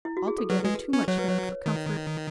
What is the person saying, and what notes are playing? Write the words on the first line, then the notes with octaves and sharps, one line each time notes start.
Altogether too much married for comfort.
E4
F#4
G#4
A4
F#3 B4
G#3
C#4
F#3 C#5
B4
C#5
D#3